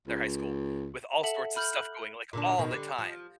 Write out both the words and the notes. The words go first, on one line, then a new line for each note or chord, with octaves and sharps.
their high school with all sorts of stuff going, like, all the time,
C#2
A4 E5 F#5 A5 F#7
B5 F6 G6 F#7
F#6 F#7
A#2 D3 D4
B2 D#3
D3 G3
F3